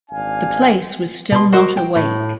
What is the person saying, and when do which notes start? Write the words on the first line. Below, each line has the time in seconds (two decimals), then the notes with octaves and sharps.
The place was still not awake.
0.10 G#1 D4 F5 G#5
1.32 B2 C6
1.53 F#4 A#4 C5 D#5 F#5
1.77 G5
1.96 A2